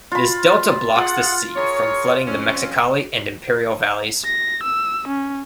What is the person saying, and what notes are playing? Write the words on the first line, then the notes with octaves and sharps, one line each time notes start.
This delta blocks the sea from flooding the Mexicali and Imperial Valleys.
F4 B5
F4 G#4 F#5
G#4 A#4 C#5
F2 C4 C#4
A#6
E6
C#4